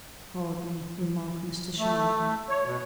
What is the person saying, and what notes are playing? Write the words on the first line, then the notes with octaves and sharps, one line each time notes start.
"Hardly," remarked Mr. Sharp.
A3
C#5
B2